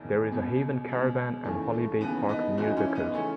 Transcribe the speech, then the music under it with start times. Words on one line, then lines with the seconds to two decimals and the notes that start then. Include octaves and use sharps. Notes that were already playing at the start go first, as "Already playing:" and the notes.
There is a Haven caravan and holiday park near the coast.
Already playing: E1 E2 D#3
0.31 C#2 B2
0.88 C#2 B2
1.44 D#2 C#3 E3 A3
1.73 A3
2.01 D#2 C#3 E3 B3
2.29 B3 D#4
2.57 F#1 F#2 C#3 E3 D#4 F#4
2.76 C#4 E4
2.95 B3 D#4
3.14 C#3 E3 A3 C#4